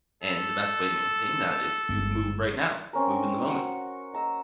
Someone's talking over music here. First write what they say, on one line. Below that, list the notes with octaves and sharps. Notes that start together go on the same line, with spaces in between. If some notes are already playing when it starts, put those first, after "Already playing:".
and the best way to maintain that is to move right now, move in the moment.
A4
G1
C4 C#4 A#4
F#4 C#6
D#5 A#5 E6